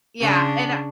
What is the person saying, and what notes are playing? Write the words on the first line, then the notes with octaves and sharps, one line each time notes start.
Yeah, and a
C#3 D4